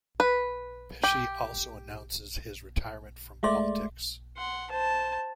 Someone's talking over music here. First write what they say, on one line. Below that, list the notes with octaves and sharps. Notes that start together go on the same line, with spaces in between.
Pesce also announces his retirement from politics.
B4
G4
G#3 A3 D5 E5 F5 C6
F#5 C6
C5 A5